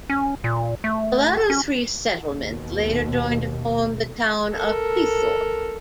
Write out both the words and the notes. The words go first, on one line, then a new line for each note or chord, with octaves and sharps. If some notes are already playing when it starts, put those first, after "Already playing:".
The latter three settlements later joined to form the town of Cleethorpes.
C#4
A#2
A3
C#4
D#2 B2
A4 A#4